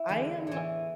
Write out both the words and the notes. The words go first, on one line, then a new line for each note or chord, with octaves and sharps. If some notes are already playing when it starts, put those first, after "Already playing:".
I am
Already playing: E4
E2 D3
A2 E3